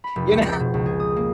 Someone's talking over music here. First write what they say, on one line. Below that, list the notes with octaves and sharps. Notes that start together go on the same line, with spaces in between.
you know?
B5
F1
C#2
C4
B2
C#2
G#4
D#6
A#3